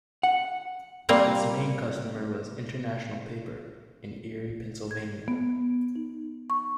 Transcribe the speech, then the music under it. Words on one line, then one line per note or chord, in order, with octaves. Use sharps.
Its main customer was International Paper in Erie, Pennsylvania.
F#5
G3 A#3 C4 A#4
G#6
B3
D#4
C#6